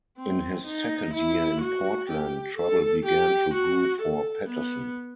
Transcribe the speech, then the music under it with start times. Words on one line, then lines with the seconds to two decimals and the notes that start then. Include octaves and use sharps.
In his second year in Portland, trouble began to brew for Patterson.
0.18 C4
0.65 D#4
1.13 E4
1.61 F#4
2.09 G4
2.57 A4
3.05 G4
3.53 F#4
4.01 A4
4.48 B3